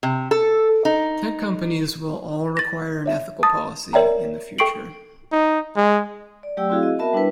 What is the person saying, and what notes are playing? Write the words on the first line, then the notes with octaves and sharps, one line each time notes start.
Tech companies will all require an ethical policy in the future.
C3
A4
D#4
A6 A#6
C#5 E5
A5 D#6 A6
A#4 C#5 D5 E5 G5 A#5
A4 G5 C#6 C7 D7 F#7
D#4
G#3
D5
F#3 A3 G4 D5 G5 E6
C4 E4 F#4 G#4 F5
D#5
B3 F#4 A#4 E5 A5 B5
G3 D4 E4 B4